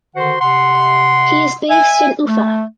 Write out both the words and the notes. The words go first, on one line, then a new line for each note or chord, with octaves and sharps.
He is based in Ufa.
D3 D#3 F#4 C5 F#5 C6
C3 F#5 C6
E5 G#5
A3